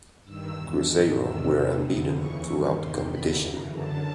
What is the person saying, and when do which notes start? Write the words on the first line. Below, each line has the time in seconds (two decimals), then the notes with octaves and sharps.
Cruzeiro were unbeaten throughout the competition.
0.24 G2 D#3 E6
0.57 E2 B2
0.88 G#2 D#3
1.19 E2 C3 D#3 E6
1.51 E2 C3 E3
1.83 F2 D3 D#6
2.15 D#2 C#3 E3 C#6
2.46 G2 D#3
2.78 E2 C3 D#3 C6
3.10 D#2 D3 B5
3.42 F#2 C#3 E3 A#5
3.73 F#2 D3 A5